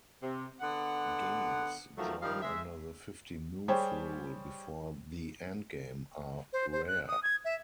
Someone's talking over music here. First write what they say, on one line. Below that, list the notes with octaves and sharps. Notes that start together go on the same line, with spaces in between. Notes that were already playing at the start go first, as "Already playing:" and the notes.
Games drawn under the fifty-move rule before the endgame are rare.
C3
D3 B3 F#5
D#3 F3 F#3 A3
D#3 F3 G3 D#5 F5
G#3 E5
G3 G4 G#4 C5 C#5
C5
C5
F#6
D#6
G#6
E5